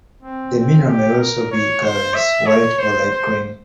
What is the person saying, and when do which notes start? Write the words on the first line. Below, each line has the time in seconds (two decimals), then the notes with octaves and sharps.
The mineral may also be colorless, white, or light green.
0.23 C4
0.55 C4
0.87 G4
1.18 A#4
1.51 C#5
1.83 C5
2.14 E5
2.46 C#5
2.79 C5
3.10 C5